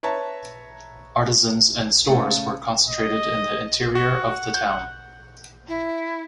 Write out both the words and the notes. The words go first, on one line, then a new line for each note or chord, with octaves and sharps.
Artisans and stores were concentrated in the interior of the town.
B4 C#5 E5 A5 A#5
C#3 A3
D#5
F#4 F#5
G6
E4